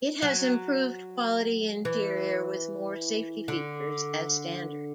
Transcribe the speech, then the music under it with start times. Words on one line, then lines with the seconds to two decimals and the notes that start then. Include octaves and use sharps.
It has improved quality interior with more safety features as standard.
0.22 F#3
1.85 E3
3.48 D3